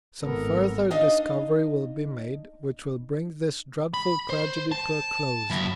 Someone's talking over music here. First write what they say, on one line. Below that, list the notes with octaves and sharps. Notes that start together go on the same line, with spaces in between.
Some further discovery will be made, which will bring this dreadful tragedy to a close.
G#1 B3 A4 A#4
D4 D#4 D#5 F5
B5
C5
A5
F#2 E4